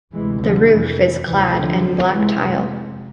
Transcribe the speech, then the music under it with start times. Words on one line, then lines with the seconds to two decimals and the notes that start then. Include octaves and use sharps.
The roof is clad in black tile.
0.14 D2 C3 E3 G#3
0.42 D3 F3
0.69 F2 C3 E3
1.26 D2 C3 E3
1.54 D3 F3
1.82 C2 C3
2.09 E3 G#3
2.37 F2 C3